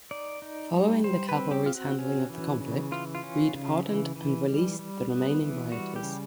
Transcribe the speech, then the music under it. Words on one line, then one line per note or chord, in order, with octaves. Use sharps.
Following the cavalry's handling of the conflict, Reed pardoned and released the remaining rioters.
D#4 D5
D#4
G3
G3 C5
B4
C4
G4
C4 F4
F#4
C#4
E3
C#3
E3 F4
F4
C#4
C#3
E3
E3
G3
G3
B3
E3
G3 F#4
G4
C#3